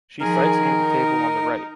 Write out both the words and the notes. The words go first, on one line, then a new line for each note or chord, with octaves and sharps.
She sites near the table on the right.
D#3 F3 G#4 A#4
D#4